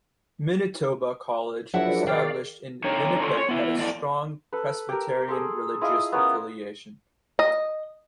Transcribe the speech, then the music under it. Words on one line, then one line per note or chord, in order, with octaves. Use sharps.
Manitoba College, established in Winnipeg had a strong Presbyterian religious affiliation.
F3 F#3 D4 E4 G#4 A#4 E5 F#5
D#3 D5 F5 G5
F2 D3 D#4 C#5
C#4 F4 A4 C5 C#5
C#5
B3 E4
E2 A2 D5
A4 B4
G4 A#4
G#4 A4 C6
E4 F4 G#4 D#5
B3 C#4 A#4
D#5